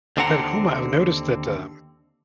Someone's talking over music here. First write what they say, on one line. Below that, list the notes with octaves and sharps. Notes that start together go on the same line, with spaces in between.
but at home, I've noticed that, um,
D#2 D3 C4 D4 F#5 A#5